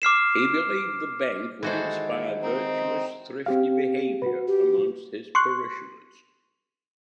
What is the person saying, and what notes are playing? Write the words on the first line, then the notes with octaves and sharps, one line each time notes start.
He believed the bank would inspire virtuous thrifty behavior amongst his parishioners.
D6 F6 C7 E7
D#3 E3 G#3 F#4 A4 C5
C4 D#4
C4 G4 F5
F#4 B4
G4
C6 C#6 F#6